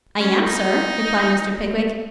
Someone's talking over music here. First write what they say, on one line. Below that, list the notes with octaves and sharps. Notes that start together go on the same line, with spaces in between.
'I am, sir,' replied Mr. Pickwick.
C#4
D#4